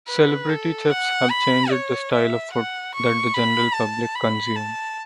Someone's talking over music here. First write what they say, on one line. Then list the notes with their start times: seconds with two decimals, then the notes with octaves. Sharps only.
Celebrity chefs have changed the style of food that the general public consume.
0.08 B4
0.49 A4
0.90 F#5
1.30 B5
1.71 C#5
2.13 E5
2.53 F#5
2.94 C#6
3.34 B5
3.75 A5
4.15 B5
4.56 A5